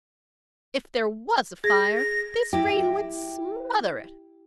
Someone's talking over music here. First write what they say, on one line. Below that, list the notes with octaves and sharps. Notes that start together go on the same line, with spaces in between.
If there was a fire, this rain would smother it.
G#4 A#6
A#6
E4 G4